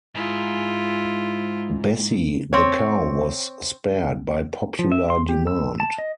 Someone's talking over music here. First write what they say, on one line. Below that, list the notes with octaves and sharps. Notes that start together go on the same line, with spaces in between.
Bessie the cow was spared by popular demand.
G#2 E4 F4
C4 C#5
F3
E5
C6
G4
E6
A5
D#5